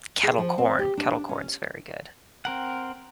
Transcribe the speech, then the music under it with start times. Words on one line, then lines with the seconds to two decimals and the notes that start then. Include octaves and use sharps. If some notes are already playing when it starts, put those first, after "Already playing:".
kettle corn, kettle corn's very good.
0.23 G#4
0.38 F3
0.58 C4
0.79 G4
0.97 D4
1.29 C#4
2.45 C4 A#4 F#5